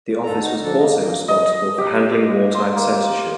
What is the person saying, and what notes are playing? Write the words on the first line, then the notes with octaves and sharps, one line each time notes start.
The office was also responsible for handling wartime censorship.
D2 G#2 A4 A#5
D#4 F#4
D3 F3 D4 A4
A#3 D#5
E3 G3 A#3
D#5
G4
C6
A#3